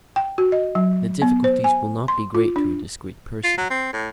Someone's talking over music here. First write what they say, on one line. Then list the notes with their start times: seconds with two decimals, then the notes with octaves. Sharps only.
The difficulties will not be great to a discreet person.
0.16 G5
0.38 F#4
0.52 D#5
0.75 F#3
1.22 B3
1.44 C5
1.64 G#5
2.08 C6
2.35 F4
2.56 D4
3.44 F4
3.58 F#3
3.70 C4
3.93 A2